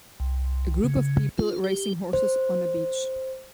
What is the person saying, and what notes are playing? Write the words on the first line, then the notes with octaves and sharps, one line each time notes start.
A group of people racing horses on a beach.
C2
C#3
F4
G4
C5